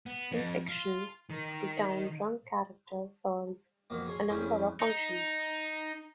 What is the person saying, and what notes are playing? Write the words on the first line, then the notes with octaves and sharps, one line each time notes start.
In fiction, the town drunk character serves a number of functions.
B3
F2
F4
D#3
F2 B2 A#3
G#4 C#5 C6
F2 G3 C#4 E4 G#4 G5
D#4